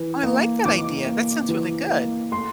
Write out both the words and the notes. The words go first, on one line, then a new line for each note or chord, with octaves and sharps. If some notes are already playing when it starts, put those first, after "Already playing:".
Oh, I like that idea. That sounds really good.
Already playing: E3
A#3
E3 D6
A#3
E3
A#3
A3 C6